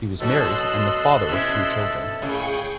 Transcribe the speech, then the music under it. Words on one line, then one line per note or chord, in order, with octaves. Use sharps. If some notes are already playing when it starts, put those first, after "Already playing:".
He was married and the father of two children.
B2 F#3 F#4 A4 D#5 C6 E6 F#6
B2 C#4 E4
A2 C#3 G#4 G5 C#6